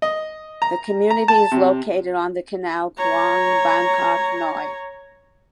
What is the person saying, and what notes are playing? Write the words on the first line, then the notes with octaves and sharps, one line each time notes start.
The community is located on the canal Khlong Bangkok Noi.
D#5
A#5
A#5
A5
C3
C#5 A#5